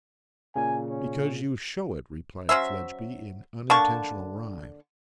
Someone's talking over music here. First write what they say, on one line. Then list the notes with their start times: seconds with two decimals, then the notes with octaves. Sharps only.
'Because you show it,' replied Fledgeby in unintentional rhyme.
0.56 A#2 C#3 G#5
0.90 C#4
2.49 F#3 C#4 C5 E5
3.70 D3 A#3 A5 C#6